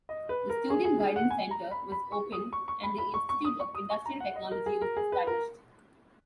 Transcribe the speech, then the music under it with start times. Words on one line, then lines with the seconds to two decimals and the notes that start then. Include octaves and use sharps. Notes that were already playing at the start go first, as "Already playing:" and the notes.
The Student Guidance Center was opened and the Institute of Industrial Technology was established.
0.09 D#5
0.29 B4
0.50 A#4
0.70 G#4
0.85 G#4
1.00 G#4
1.16 F#5
1.30 G#5
1.51 A#5
1.71 B5
1.92 B5
2.12 C#6
2.32 D#6
2.53 C#6
2.68 C#6
2.83 B5
2.98 B5
3.14 C#6
3.29 C#6
3.44 D#6
3.60 C#6
3.75 D#6
3.90 C#6
4.06 A#5
4.20 F#5
4.36 D#5
4.51 A#4
4.66 G#4
4.81 A#4
4.97 G#4
5.12 B4
5.27 A#4